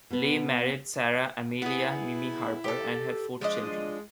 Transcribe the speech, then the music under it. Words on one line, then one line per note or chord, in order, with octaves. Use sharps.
Lay married Sarah Amelia "Mimi" Harper and had four children.
B2 B3
B3 E4 G#4
G4 A4
F3 G#3 D4 D#5